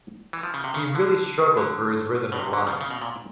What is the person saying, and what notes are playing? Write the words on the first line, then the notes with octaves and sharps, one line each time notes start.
He really struggled for his rhythm and line.
E3
F3
C#3
C3
C#3
D3
D3
B2
C3
D3
C#3
C#3
B2
A#2